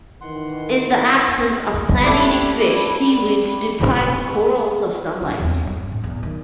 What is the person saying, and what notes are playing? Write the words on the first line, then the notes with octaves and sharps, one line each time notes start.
In the absence of plant-eating fish, seaweeds deprive corals of sunlight.
D#3 E3 F#5 C6
G3 A3 D4 E4
D4
E2 C4
G2
A2
E2
D#3